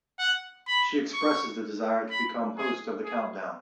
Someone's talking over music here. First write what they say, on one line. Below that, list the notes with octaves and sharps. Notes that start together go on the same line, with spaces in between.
She expresses the desire to become host of the countdown.
F#5
B5
C#6
B5
G#4
G#4